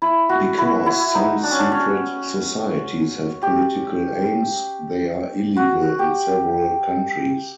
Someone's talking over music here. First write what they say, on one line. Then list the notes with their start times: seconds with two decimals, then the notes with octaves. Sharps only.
Because some secret societies have political aims, they are illegal in several countries.
0.02 E4
0.29 F#4
0.58 E4
0.86 E4
1.15 D#4
1.43 D4
1.51 C#4
1.59 D4
1.72 C#4
3.43 G4
5.57 F#4
5.99 G4